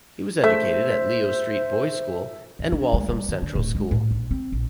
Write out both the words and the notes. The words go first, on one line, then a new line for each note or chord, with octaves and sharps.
He was educated at Leo Street Boys' School and Waltham Central School.
A3 C5 E5
F#1
D4
G#3
G3
D#3
D3
D1
G#3
A2
A#1
C4
A#1